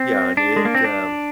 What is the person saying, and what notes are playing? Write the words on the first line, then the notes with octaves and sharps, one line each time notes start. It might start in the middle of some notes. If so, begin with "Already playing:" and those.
Yeah, and it, um,
Already playing: C4
D4
G#3
A#3
C4
D4